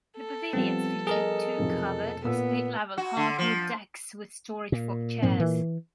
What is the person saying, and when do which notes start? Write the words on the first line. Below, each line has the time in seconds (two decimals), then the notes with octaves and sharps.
The pavilions feature two covered, split-level, hardwood decks with storage for chairs.
0.18 A4
0.53 F3 G3 B3 C4
1.07 G#4 A#4 D#5
1.58 F1 B1 F2
2.24 A#2 B3 E6
2.98 F#4
3.17 D3
3.38 F3
4.72 A#2
5.22 G#2 F3 C4
5.40 E3